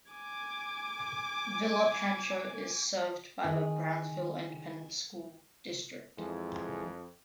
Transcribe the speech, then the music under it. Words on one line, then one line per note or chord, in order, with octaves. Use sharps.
Villa Pancho is served by the Brownsville Independent School District.
G#5 D6
D#3 G#4
F2 E3 G#3